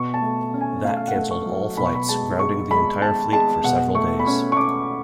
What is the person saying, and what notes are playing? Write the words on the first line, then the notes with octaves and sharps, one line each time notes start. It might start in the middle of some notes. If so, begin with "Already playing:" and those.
That cancelled all flights, grounding the entire fleet for several days.
Already playing: B2 C#6
A5
A3
C#4
G#5
A3 F5
F5
F#5
A3
C#6
F#3
B2 B5
C#6
B5
G#3 A5
G#3 C#6
G#3 B5
G#3 A5
G#3 A5
B2 F#5
A3 C#6
B5
C#4 C#6
C#6
C#4 D6